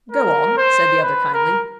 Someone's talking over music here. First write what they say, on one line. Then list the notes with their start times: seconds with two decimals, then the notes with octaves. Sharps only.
"Go on!" said the other kindly.
0.12 A#4
0.57 C5
1.02 B4
1.33 A#4